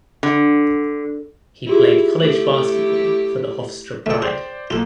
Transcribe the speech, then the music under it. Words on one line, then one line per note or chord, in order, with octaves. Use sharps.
He played college basketball for the Hofstra Pride.
D3
E4 F4 G4 G#4
A3 E4 G4 A4 F#7
C#2 A3 A4 G5
G#4 C5 D5 G5
B1 A#3 F4 A4